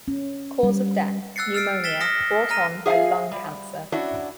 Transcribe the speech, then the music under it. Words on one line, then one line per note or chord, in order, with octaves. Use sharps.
Cause of Death: Pneumonia brought on by lung cancer.
C#4
G3
E6 F#6 A6 C7 C#7
E6 F6 A6 C7 D7
A6 B6 E7 G7
D#6 F6 A#6 C#7
A#5 F6 A#6 D#7
G#4 E5 F5 G5 G#5
G3
C#4 D4 E4 F#4